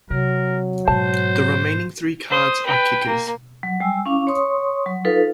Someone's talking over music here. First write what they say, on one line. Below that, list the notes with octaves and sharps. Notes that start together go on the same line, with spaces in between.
The remaining three cards are kickers.
C3 F#3 A#4
G#2 B2 C5 A5
C5 D#6
B4 G5
A#3
F#3
G3 G#5 E6
C#4 E4 F5 C#6 D6
C#5 C6 C#6 D#6
F#3
D#4 F4 A4 B4 F5